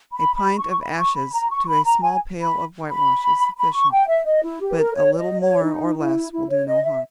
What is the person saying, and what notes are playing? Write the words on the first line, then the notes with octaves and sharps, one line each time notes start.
A pint of ashes to a small pail of whitewash is sufficient, but a little more or less will do no harm.
B5
B5
C#6
B5
C#6
B5
A#5
C#6
B5
A#5
G#5
B5
B5
B5
C#6
G5
E5
D#5
E4
G4
B4
A#4
C#5
C#5
D#5
C#5
D#4
E4
E4
C#5
D#5
E5